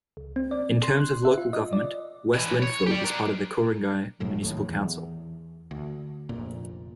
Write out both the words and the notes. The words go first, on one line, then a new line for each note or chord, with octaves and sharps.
In terms of local government, West Lindfield is part of the Ku-ring-gai municipal council.
C#2
C4
D5
C6
F#6
E5
F4
D#5
D5
A2 E3
C#5
G4 D5
D4 A#4
F1 B1 F#2 A2
E1 D#2 A2
E2
D2
F1 A#1 A#2